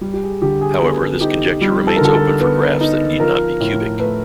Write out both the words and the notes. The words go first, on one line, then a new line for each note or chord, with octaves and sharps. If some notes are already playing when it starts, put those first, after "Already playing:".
However, this conjecture remains open for graphs that need not be cubic.
G3
G4
G#4
D3 G4
G#4
B3 A4
D#4 G4
G3
A4
A#4
D3 A4
A4
B3
D#4
F3 A#4
A2
A3 B4